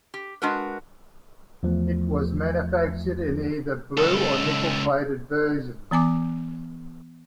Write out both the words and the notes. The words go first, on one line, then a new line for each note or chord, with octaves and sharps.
It was manufactured in either blue or nickel-plated versions.
G4
G#3 D4 F#4 A#4 B4
E2 F3 A3
C#2 A4
E3 B3 G#5 D6